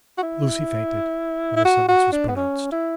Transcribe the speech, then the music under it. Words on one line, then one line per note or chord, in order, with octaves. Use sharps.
Lucie fainted when the sentence was pronounced.
F#4
E4
E4
F#4
F#4
D4
B3
C#4
E4